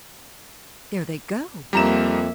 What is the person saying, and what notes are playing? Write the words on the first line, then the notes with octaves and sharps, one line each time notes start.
"There they go!"
F2 G3 A#3 E5 A#5 E7